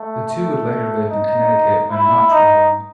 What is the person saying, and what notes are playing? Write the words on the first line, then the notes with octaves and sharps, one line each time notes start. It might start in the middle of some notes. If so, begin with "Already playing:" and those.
The two would later live in Connecticut when not travelling.
Already playing: A3
A3
D#4
E4
D#4